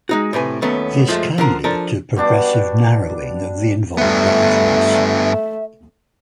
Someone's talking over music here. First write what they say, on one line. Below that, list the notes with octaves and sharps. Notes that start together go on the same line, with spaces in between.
This can lead to progressive narrowing of the involved arteries.
G#3 D#4 F#4
A2 C3 B4 G#5
D#2 F#3 A3 B3 C#4
F#2 F3 G#3 A3
D3 F3 A#4
F3 D4 A4 A#4
B2 G3 D4 D6
G2 A3 B3 E5